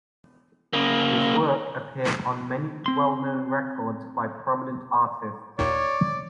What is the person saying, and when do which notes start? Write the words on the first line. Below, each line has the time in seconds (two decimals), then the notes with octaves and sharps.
His work appears on many well-known records by prominent artists.
0.73 C#3 A#3
2.86 C4 C6
5.59 D#2 A#2 D#3 C#5 D5